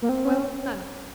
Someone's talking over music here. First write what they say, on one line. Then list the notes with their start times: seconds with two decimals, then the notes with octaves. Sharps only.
Well, none.
0.02 A#3
0.09 C4
0.25 C#4